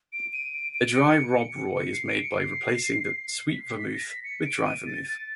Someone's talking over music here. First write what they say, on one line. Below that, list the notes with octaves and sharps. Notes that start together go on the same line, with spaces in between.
A "dry" Rob Roy is made by replacing the sweet vermouth with dry vermouth.
D7
D#7
D7
D7
D7
C#7
C#7
C7
D7
C#7
C7
B6
C7
B6
A6
A#6
B6
C#7
D7
D#7
A6
A6